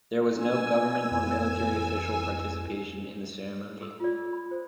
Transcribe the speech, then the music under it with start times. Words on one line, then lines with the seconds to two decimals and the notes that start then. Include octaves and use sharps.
There was no government or military official participation in the ceremony.
0.34 A#1 B3 G#5 E6
1.12 F2 E3
3.81 G#4 A4 E6
4.00 F4 D5
4.33 B5
4.51 A4 C5